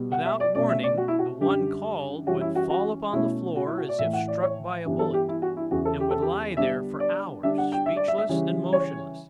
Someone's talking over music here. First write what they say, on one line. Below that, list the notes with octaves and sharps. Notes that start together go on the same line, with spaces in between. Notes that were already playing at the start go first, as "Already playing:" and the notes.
Without warning the one called would fall upon the floor as if struck by a bullet, and would lie there for hours, speechless and motionless.
Already playing: B2 G3 B3
F#5
E5
D5
B2 A3 C#4 D5
E5
D5
F#4
E4
F#4
F#2 D3 G3 G4
F#2 E3 G3 C#4 F#4
E4
F#4
F#4
B2 A3 C#4 E4
F#4
E4
F#4
D5
A2 E3 A3 E5
F#5
D5
C#5
G2 E3 G3 B3 D4
A4
G4
E4
F#4
E4
E2 C#3 E3 F#4
A4
G4
A4
G4
D3 G3 B3 D4 E5
D5
D3 G3 D4 E5
F#5
G5
E5
D5
E5
E5
C#3 E3 G3 C#4
C#5